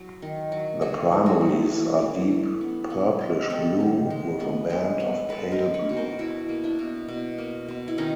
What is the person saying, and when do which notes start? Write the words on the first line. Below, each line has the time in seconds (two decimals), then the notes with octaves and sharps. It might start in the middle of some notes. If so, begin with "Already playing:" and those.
The primaries are deep purplish blue with a band of pale blue.
Already playing: F#3
0.22 D#3
0.52 F#3
0.81 A3 F#4 G#4
1.11 E3
1.26 F#4 G#4
1.41 A3
1.71 E3
2.01 E3
2.31 A3
2.61 B3
2.90 B3
3.21 G#3
3.50 B3 G4 A4
3.80 D#3
4.10 G#3
4.40 B3
4.70 G#3
5.00 B3
5.29 G#3 A4 B4
5.51 A#4 C5
5.59 B2
5.74 B4 C#5
5.89 B2
5.97 A#4 C5
6.19 B2 E4 F#4
6.49 A#3
6.64 D4 E4
6.79 B2
7.08 B2
7.38 A#3
7.68 B2
7.88 E4
7.98 D#3 C#4 D#4